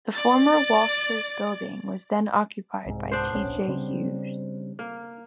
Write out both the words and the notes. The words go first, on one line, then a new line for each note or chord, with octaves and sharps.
The former Walsh's building was then occupied by T J Hughes.
D5 A6
C2 G#2
B3 D4 C5
D1 A#1 C#4
C#3 G3 C4
A#3